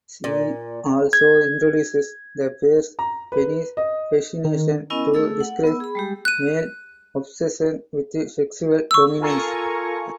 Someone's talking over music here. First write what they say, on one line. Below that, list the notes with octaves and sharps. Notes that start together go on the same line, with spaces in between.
She also introduces the phrase "penis fascination" to describe male obsession with sexual dominance.
A#2
G#6
A#5
B4
D#5
D#3
B3 C#4 E4 A#4 D#5 G#5
A3 G#4 A4 E6
F#5
B3 E6
G#4 B5
G3 G#3 G4
F#6 D#7
C#6 E6
F4 A4 A#4 G#5 A#5 C#6